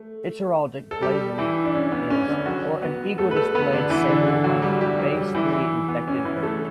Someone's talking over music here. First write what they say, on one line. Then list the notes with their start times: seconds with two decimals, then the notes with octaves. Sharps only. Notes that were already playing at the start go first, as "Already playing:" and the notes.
Its heraldic blazon is "Or, an eagle displayed sable on a base three-invected vert".
Already playing: A3
0.91 A4
1.01 G3 G4
1.38 E3 E4
1.66 D4
1.75 C#4
1.92 B3
2.10 C#4
2.28 D3 D4
2.46 F#3 F#4
2.82 B3 B4
3.18 A3 A4
3.31 B4
3.36 A3 A4
3.55 B3 B4
3.72 D3 D4
3.90 E3 E4
4.08 D3 D4
4.27 D3 D4
4.44 F#3 F#4
4.62 G3 G4
4.80 G3 G4
4.99 F#3 F#4
5.17 G3 G4
5.35 E3 E4
5.52 E3 E4
5.88 B3
6.08 C#4
6.25 E3 E4
6.43 A3 A4